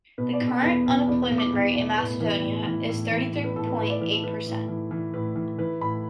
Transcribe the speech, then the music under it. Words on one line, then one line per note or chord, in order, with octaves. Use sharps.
The current unemployment rate in Macedonia is thirty-three point eight percent.
B2 B4
D5
B2
A4
E2 B4
B2 B4
E2 D5
B4
E2
D6
E2
B2 D5
A2 B4
E3 B4
A2
E3
A2
E3
A2
B4
A2 A4
B4
A2 B4
D5
E3 B4
A4
E3 B4
A2
E3
E3
A2 B4
E3
E3 B4
A2 B5